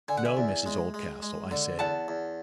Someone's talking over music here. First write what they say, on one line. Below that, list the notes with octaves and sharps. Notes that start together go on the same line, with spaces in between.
"No, Mrs Oldcastle," I said.
D3 G#5
F#5
E5 G#5
E2
G#3
G#3
G#3
D3
E2 F#5 A5
E2